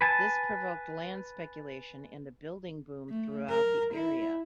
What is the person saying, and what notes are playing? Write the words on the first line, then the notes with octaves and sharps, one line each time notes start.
This provoked land speculation and a building boom throughout the area.
B4 G#5 A5
A3
A#4
E4